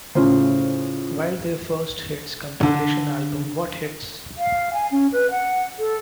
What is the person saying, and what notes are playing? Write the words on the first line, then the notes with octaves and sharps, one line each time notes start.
While their first hits compilation album What Hits!?
A2 C#3 C#4 F4 C5
D3
F5
G#5
C#4
B4
F#5
A4